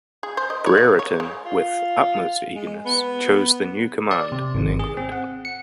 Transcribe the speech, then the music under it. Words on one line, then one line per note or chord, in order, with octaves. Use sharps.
Brereton "with utmost eagerness" chose the new command in England.
G#4
C5
D#5
C#5
A#3
C#5
G#3
F4
G#3
B3
D5
C3
G#1
G#4
C4
F#5
C#7